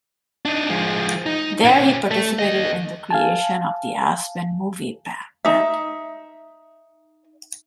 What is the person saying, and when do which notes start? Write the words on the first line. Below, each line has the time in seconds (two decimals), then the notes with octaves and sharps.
There he participated in the creation of the Aspen Movie Map.
0.45 D4 D#4
0.70 F3 G#3
1.26 D#4
1.65 A#2 C#4
2.11 A3
2.39 D#2 D#5
3.10 F5 G#5 A5
5.45 D#4 E5